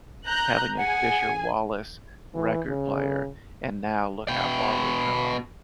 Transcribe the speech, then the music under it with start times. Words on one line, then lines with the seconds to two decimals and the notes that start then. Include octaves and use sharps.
having a Fisher Wallace record player, and now look how far we've come.
0.25 A#5 F#6 G6
0.77 G#4 F#5 G#5
2.35 E3
2.68 C#3
4.28 B2 G5